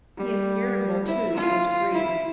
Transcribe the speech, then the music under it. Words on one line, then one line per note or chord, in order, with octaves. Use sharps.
He is irritable, too, to a degree.
G3
E4
F4
E4